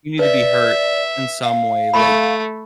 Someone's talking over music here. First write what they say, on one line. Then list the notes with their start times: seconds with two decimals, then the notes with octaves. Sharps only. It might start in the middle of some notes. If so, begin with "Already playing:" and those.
you need to be hurt in some way, like
0.19 B4 D5 E5
1.44 F5
1.94 A3 B5 C#6